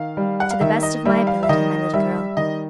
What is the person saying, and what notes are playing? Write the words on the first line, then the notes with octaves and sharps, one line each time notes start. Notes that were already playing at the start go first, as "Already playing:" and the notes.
"To the best of my ability, my little girl."
Already playing: D#3 F5
G3
F#5
F5
D#3 E5
D#5
G3 E5
F5
E5
D#3 D#5
G3 E5
D#3 D#5